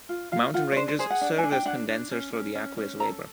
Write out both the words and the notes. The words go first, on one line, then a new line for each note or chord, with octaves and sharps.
Mountain ranges serve as condensers for the aqueous vapour.
F4
F4 F5
F4 F#5
C#5
D4 C5
C5
G#4 C5
F#5
D4
G#5
D4
G5
D4 F#5
D4
C#4
C#4
C#4
C#4
A4 A#5